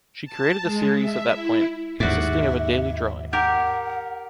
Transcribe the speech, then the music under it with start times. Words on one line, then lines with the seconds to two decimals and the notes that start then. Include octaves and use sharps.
She created a series at that point, consisting of a daily drawing.
0.25 A5
0.63 G#3
0.95 E5
1.32 E4
2.00 D#2 G#2 F#4 D5 E5
3.33 G4 A#4 F#5